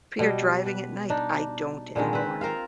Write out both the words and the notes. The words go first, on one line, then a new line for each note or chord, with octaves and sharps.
Fear driving at night. I don't anymore.
B2 G3 D#5
B4
D4 D#4
A#2 D3 D#3 G#3
C4 B4
F4 A#4 C5 F5